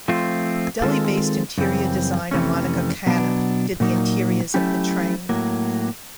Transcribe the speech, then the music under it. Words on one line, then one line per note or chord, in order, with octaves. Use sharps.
Delhi-based interior designer Monica Khanna did the interiors of the train.
F3 A3 C4 F4
D#3 G#3 C4 F4 A4
F#2 C#3 E3 G3 C4
F2 C3 E3 A3 C#4
B2 F#3 B3 D4
A#2 F#3 A#3 D#4
F#3 A3 C#4 E4 G4
A2 F#3 A#3